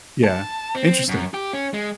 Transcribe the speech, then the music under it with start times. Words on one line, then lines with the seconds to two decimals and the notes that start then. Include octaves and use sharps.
Yeah. Interesting.
0.24 A5
0.75 C4
1.09 F#2
1.34 G4
1.53 C#4
1.74 G#3